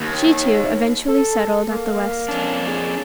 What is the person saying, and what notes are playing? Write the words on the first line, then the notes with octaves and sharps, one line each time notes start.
She, too, eventually settled at the West.
D#2
A4
A#3
F2 C#4 D4
G#4